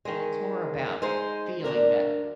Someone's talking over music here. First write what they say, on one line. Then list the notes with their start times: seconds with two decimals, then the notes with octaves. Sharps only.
And it's more about feeling better.
0.05 D#3 G#3
1.02 G#3 D#4 C5
1.64 D2 G2 D4 A#4